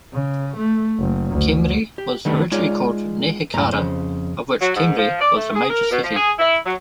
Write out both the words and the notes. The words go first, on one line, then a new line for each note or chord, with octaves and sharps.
Khemri was originally called Nehekhara, of which Khemri was a major city.
C#3
A3
F#1
D2
G4
D3 D#3 G3 A3 B3
G#3 D#4 F4 C#5 D5
C2 F#2 A2 A#5
F2 C#3 C5
F#3
G#2
F3
D5
A3
G#4
A#4
B2
F3
G#4
E4
F#3